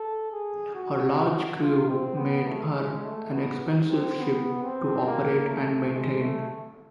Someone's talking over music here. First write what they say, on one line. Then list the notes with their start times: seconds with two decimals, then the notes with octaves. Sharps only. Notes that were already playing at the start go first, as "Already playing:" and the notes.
Her large crew made her an expensive ship to operate and maintain.
Already playing: A4
0.32 G#4
0.75 F#4
1.61 F4
1.89 C4
2.18 B3
2.48 A3
2.76 G#3
3.05 A3
3.33 B3
3.91 C4
4.20 B3
4.63 C4
5.06 A#3
5.49 A3
5.92 G#3
6.21 A3